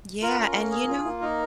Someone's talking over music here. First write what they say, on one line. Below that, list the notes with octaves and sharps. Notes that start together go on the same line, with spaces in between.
Yeah, and you know
F4 A#4
C#4
A#3
G#4
F4
A#3
D#4 A#4